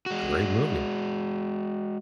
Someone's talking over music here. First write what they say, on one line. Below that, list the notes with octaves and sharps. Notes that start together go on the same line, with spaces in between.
Great movie.
G#3 F#4